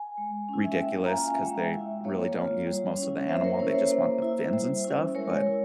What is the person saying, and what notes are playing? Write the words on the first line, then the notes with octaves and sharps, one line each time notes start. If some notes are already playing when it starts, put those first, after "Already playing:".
ridiculous 'cause they really don't use most of the animal, they just want the fins and stuff, but
Already playing: G#5
G#3
C#4 E4
E5
F5
A#3 E5 G5
A#5
C#4 F4 F5 G#5
F5
G#3 E5 G5
E4
A#3 C#5 F5
F4
G3
C#4 E4
A#3 C5 E5
A#4 C#5
C#4 E4 A#4 C#5
C5 E5
A#3
E4
G3
C#4 E4
G#3 A#4 C#5
E4